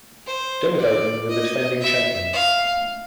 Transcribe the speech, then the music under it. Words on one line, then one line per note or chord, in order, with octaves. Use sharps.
Dungarvan were the defending champions.
C5
D5
D#5
E5
F5